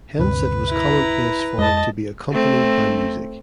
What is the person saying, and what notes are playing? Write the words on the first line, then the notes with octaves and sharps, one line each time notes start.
Hence it was commonplace for it to be accompanied by music.
D2 G2 C3 B4
E4 A#5
F2 G#3 D#5 A5
A3 C4